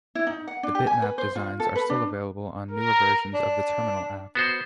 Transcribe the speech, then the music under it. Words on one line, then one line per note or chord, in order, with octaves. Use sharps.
The bitmap designs are still available on newer versions of the Terminal app.
E4
D#4
F#5
D4
G4
G#5
B4
C5
F4
A4
B4
D4
A#4
D4
B3 F#4 C5